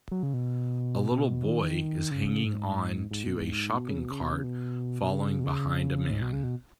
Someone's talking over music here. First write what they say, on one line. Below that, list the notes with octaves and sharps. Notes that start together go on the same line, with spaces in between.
A little boy is hanging on to a shopping cart following behind a man.
F#3
C#3
B2
B2
D#3
C#3
G#2
G#2
B2
G#2
B2
C#3
B2
C#3
B2
C#3
B2
B2
C#3
B2
C#3
G#2
B2
C#3
B2